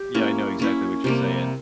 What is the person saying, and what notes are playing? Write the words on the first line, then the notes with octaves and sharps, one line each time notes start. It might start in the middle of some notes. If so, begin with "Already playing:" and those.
Yeah, I know exactly what you're saying.
Already playing: G4
A#3 C#4 E4
A#3 C#4 E4
C3 G3 A#3